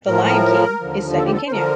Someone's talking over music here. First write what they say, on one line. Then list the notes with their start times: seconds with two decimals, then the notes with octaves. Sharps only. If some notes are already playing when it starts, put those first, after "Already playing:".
The lion king is set in Kenya.
0.07 A2 F3 A#4
0.25 A#4
0.80 D#2 D3 F3
1.15 A4
1.24 G4
1.33 A4
1.47 C5
1.52 D3 F3 A#4